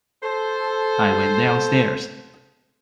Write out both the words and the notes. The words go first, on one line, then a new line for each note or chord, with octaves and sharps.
I went downstairs.
A4 C5